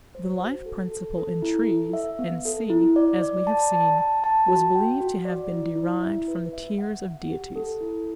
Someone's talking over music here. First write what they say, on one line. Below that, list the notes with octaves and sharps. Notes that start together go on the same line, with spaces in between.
The life principle in trees, &c., as we have seen, was believed to have been derived from the tears of deities.
C5
F#4
A4
A4
A4
E4
A4
E5
B3
A4
E4
D5
D5
A5
A5
A5
A5
F#4
G5
F#4
D5
E4
E4
E5
B4
E5
F#5
F#5
G4
A4
E4